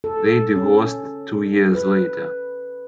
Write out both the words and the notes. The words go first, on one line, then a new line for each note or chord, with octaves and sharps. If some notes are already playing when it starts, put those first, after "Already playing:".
They divorced two years later.
A4
C#4
B4